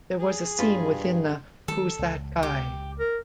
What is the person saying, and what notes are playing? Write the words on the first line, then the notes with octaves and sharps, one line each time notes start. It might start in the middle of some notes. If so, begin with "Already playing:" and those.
There was a scene within the Who's that Guy?
G#4
G2 F4 B4
D#3 G3 A4
C#2
G4
A#4